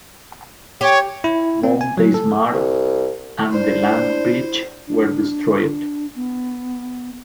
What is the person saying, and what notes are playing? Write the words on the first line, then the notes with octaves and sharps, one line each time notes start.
Mount Deismaar and the land bridge were destroyed.
G4 C#5
E4
C4
G#5
F#3
A4
C2
D4 E4 C5
D4
B3